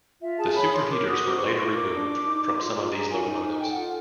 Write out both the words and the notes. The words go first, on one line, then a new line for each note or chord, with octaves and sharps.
The superheaters were later removed from some of these locomotives.
F4 E5
G#4 A5
C#5 B5
C#5 C6
A#4 D6
F#4 D#6
C5 D6
C#6
G#4
C6
F4 C#6
A#4 D6
D4
D4
D#4
D#4
F4 C6
F4
G#4 A#5
F4 G#5
D#4
D#4
A4 G5
F#5
F4